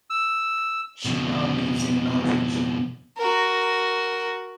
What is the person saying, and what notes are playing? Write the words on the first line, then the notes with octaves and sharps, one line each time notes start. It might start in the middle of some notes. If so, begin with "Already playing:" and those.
She now lives in Norwich.
E6
F2 B2
F#4 A#4